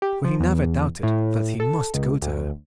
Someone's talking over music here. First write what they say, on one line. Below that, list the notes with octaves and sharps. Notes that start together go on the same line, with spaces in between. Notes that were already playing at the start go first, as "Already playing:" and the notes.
For he never doubted that he must go to her.
G4
F3
E2
A2
A4
C#2
D2